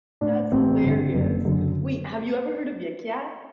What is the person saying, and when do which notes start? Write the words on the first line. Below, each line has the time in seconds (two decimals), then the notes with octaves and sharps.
That's hilarious. Wait, have you ever heard of Yik Yak?
0.21 A2 D4
0.52 A1 C4
0.82 G2 D3
1.14 F#1
1.45 F#2 D3